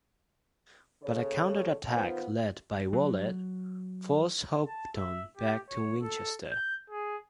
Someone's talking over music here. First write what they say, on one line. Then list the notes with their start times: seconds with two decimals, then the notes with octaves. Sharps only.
But a counter-attack led by Waller forced Hopton back to Winchester.
1.02 C#3 A4 C#5
1.90 D#3 B3 F4 A#4 C5
2.93 F#3
4.67 A5
4.96 E5
5.37 G4
5.70 C#5
6.02 A4
6.51 G6
6.90 G#4